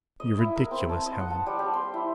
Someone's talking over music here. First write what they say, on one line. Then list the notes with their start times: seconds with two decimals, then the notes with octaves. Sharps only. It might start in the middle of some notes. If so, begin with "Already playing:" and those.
"You're ridiculous, Helen."
0.20 D#5
0.39 E4
0.56 A#4
0.71 C4
0.89 A5
1.06 D#5
1.19 F#5
1.31 A5
1.46 G3
1.59 G4
1.74 C6
1.94 E4